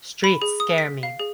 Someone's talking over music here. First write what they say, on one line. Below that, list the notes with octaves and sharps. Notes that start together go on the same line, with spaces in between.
Streets scare me.
B5
G#4
D#6
B6
F5
G#4